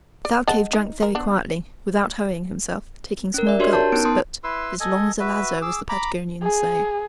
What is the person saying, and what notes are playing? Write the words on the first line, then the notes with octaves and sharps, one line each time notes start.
Thalcave drank very quietly, without hurrying himself, taking small gulps, but "as long as a lazo," as the Patagonians say.
D5
G#3 F#5 A5
D#4
A#4
B3 D4
C#4 A#4
D5 E5
D4 F#4 G4 A#4 C#5 C6
A#4 A5 G6
B3 C#4 D#4 D7
B3 A5 C6 D#6
E4 B4 C6 E6
A4 D#5 G#5
F#4 B4 E5
G#4 D6 E6
A#5 B5 D6
G#4